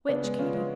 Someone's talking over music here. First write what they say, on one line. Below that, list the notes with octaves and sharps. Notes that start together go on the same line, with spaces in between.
"Which, Katy?"
C#3 B3 D4
G#3
C#3 C#4 F4
G#3